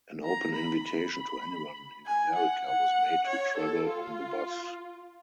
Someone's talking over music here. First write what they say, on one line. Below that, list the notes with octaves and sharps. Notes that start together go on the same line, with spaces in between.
An open invitation to anyone in America was made to travel on the bus.
A#5
B5
B5
G#5
F#5
F#5
C#5
A4
F4